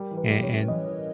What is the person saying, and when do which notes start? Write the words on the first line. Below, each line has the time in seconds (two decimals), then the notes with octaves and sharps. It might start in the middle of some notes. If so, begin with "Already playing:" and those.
And and
Already playing: G3 A#4
0.11 E3
0.18 B4
0.30 G3
0.43 C#5
0.49 C#4
0.68 E3 D#5
0.87 E3